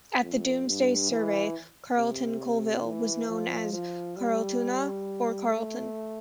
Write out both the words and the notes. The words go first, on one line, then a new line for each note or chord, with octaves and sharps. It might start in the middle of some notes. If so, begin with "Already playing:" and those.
At the Domesday survey Carlton Colville was known as Carletuna or Karletun.
F2
G2
E3
C3
E3
F3
F3
G3
A3